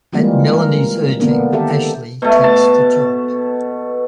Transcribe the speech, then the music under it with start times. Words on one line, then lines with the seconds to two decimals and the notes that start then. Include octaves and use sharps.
At Melanie's urging, Ashley takes the job.
0.13 E3 F3 G3 G#3 A#3 C4
0.53 A#4
1.20 D3 A#3 B3 D4 A#4
1.52 D#3 G4 A4 E5
2.22 B2 A3
2.44 A5